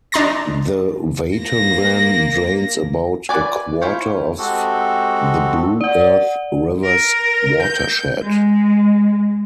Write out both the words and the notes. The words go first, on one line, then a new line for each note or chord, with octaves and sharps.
The Watonwan drains about a quarter of the Blue Earth River's watershed.
D4 D#4 A#5 C6 A6 A#6
A#3 A#6
B4 D5 G#5
E4 F4 C5 C#5
G#3 C4 F#4 G4 A4
D5 F#5
A#4
G6
G#3